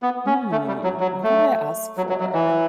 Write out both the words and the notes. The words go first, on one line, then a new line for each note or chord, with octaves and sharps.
Hmm, what would I ask for?
B3
C#4
A3
G3
F#3
F#3
A3
F#3
F#3
F#3
E3